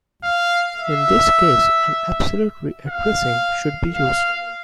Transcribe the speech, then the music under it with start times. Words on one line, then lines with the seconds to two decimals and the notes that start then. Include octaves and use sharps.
In this case an absolute readdressing should be used.
0.23 F5
0.76 E5
2.88 F5
3.95 F5